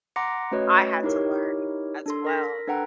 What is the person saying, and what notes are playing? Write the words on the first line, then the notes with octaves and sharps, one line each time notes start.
I had to learn as well.
F#5 A#5 C6 D6 A#6 C#7
A3 C#4 F#4 B4 C#5 D#5
D#4 E4 G4 A#4 C#5
D4 A4 C6
A#4 A#6 B6
D4 A4 B4 F#5 G5 A#5